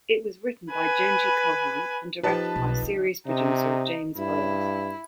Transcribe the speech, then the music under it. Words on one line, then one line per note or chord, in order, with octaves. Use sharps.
It was written by Jenji Kohan and directed by series producer James Burrows.
B4 G#5
F3 D#4 G4 B4 A5
B1
D3
C3 D#4
G2 E4